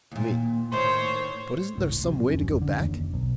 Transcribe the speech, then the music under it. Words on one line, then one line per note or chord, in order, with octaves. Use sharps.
ME: But isn't there some way to go back?
D#2 A#2
A2 D#3 C5 C#5
G#1 C#2 A2
C3 F#3
D1 G#1 F2 C#4
D3
F1 D#2
B1